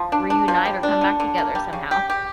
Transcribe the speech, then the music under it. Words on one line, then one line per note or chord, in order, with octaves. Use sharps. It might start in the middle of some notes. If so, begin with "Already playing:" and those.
reunite or come back together somehow.
Already playing: F3
D4
D4
F3
G3
D4
D3
D3
A#3
G3
C#3
G4
G4